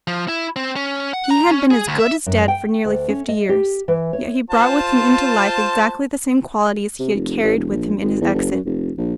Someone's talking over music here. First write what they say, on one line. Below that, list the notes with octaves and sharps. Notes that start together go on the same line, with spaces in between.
He had been as good as dead for nearly fifty years, yet he brought with him into life exactly the same qualities he had carried with him in his exit.
F3
E4
C4
C#4
F#5
A#5
C#4
G#4
D2
E5
F#2
G5
D2
C#4
D#5
G4
E3
C#5
F4 C5 A5
C3
F1
A1
E1
A#1
G#1
E2
F#1
F#2
F1
A#1